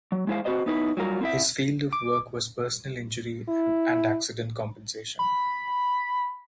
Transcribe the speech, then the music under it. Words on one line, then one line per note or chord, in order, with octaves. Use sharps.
His field of work was personal injury and accident compensation.
F#3
G#3 E4 C5 F5
C4 C#4 F#4 B4 C5 D#5
B3 D#4 E4 B4
F#3 G3 F4 A#4
C4 E4 E5
D6
E4
B5